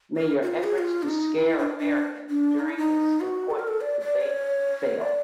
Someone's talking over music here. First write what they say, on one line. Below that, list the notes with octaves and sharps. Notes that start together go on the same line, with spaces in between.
May your efforts to scare Americans during this important debate fail.
A#4
F#4
F4
G#4
F4
D4
D#4
E4
D4
D4
D4
D#4
E4
D#4
F#4
A4
A#4
A4
D5
D5
C#5
D5